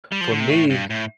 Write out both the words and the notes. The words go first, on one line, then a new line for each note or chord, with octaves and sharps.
for me
G3
F3
D3
C3
A2
G2
A2